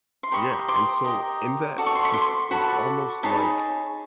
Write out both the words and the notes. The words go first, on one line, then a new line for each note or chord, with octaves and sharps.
Yeah, and so in that sys it's almost, like
C6
G4 A#4 D#5 B5 C#6
C6 D6
G4 A#4 D#5
F#4 A4 D5 D6
C#6
C6
B5 C#6
C6 D6
F#4 A4 D5 B5 C#6
D#4 G#4 C#5 A5 B5